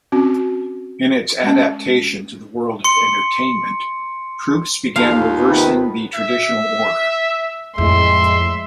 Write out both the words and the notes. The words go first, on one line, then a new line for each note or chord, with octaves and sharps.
In its adaptation to the world of entertainment, troupes began reversing the traditional order.
C4 C#4 F#4
G#3 C#4
C6 C#7
D#2 F4 A4 D5 F5
C3 D#3 B3
E5
F2 A2 G#3 E5 C6